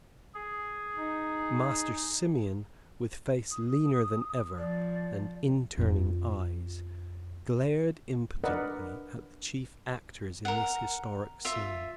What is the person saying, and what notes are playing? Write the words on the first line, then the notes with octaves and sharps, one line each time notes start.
Master Simeon, with face leaner than ever and inturning eyes, glared impotently at the chief actors in this historic scene.
G#4
D#4
D#6
F3 D5
F2 F4
D4 A#4 B4 D5 D#5 F#5
A#4 F#5
F4 E5